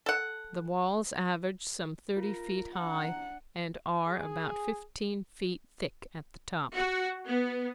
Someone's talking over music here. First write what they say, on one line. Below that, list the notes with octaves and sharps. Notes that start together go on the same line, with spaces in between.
The walls average some thirty feet high and are about fifteen feet thick at the top.
A4 F#5
F4 A#4
D4 F#5 A#5
G#4
F#4
B3